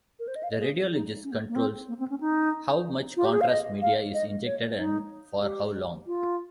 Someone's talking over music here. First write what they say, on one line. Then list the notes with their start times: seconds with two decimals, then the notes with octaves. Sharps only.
The radiologist controls how much contrast media is injected and for how long.
0.19 A#4
0.28 C5
0.36 D#5
0.43 F5
0.51 D#5
0.60 G#4
0.92 D#4
1.24 C#4
1.31 A#3
1.48 A#3
1.55 C4
1.88 A#3
1.99 C4
2.10 C#4
2.20 D#4
3.16 F4
3.25 G4
3.32 G#4
3.41 F5
3.49 D#5
3.82 F5
4.14 D#5
4.45 C#5
4.78 D#4
5.42 G4
6.07 F4